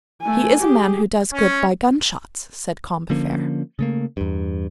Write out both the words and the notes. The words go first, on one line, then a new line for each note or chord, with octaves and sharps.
"He is a man who does good by gun-shots," said Combeferre.
A3 G#5
G4 G#4
C#4
D3 F3 A#3 C#4
C#3 A3 A#3
E2 G2